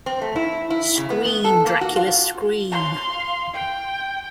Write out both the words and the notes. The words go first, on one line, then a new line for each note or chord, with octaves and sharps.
Scream, Dracula, Scream!
C4
A3
E4
E4
C#3
B3
B3
A4
A#3
F#4
F4
F5 C6
G5